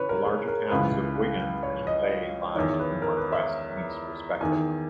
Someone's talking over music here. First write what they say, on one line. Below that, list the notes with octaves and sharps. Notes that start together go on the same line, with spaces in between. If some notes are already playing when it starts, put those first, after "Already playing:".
The larger towns of Wigan and Leigh lie to the northwest and east respectively.
Already playing: C#3 E3 B4 C#5
A#4
G#4
A#4
C#2 C#3 E3 B4
C#5
D#5
E2 D#3 C#5
B4
A#4
B4
E5
E2 D#3 G#5